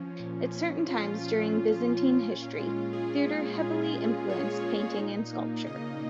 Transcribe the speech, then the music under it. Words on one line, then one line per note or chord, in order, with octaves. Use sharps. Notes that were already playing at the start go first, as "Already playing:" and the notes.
At certain times during Byzantine history, theater heavily influenced painting and sculpture.
Already playing: F3 C#4
A#2
A#2
C#4 F4
F3
A#2
A#2
C#4 F4
F4
G#3 F4
F4
A#2 G#4
A#2
C#4
G#3
A#2 C#5
A#2
D#4
A#3
C#3 D#5